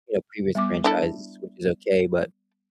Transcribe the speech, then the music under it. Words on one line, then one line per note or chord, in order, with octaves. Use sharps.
you know, previous franchises, which is okay, but,
G3 B3 D6
D4 E4 A4